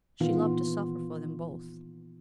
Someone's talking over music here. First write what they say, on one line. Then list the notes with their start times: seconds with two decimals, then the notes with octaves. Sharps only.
She loved to suffer for them both.
0.20 A#2 D#3 E3 B3 F4